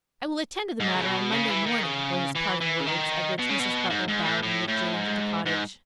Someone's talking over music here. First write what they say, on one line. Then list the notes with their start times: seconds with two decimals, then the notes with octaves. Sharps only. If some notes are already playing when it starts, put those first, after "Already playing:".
"I will attend to the matter on Monday morning," were his parting words, at which Mrs. Butler bowed and withdrew into the cottage.
0.80 G#2
0.95 C#3
1.06 B2
1.32 C#3
1.49 E3
1.66 D#3
1.83 C#3
2.35 E3
2.60 E3
2.80 C#3
2.86 D#3
3.39 B2
3.49 C#3
3.59 B2
3.90 G#2
4.08 G#2
4.25 A2
4.43 A2
4.68 A2
4.94 G#2
5.46 G#2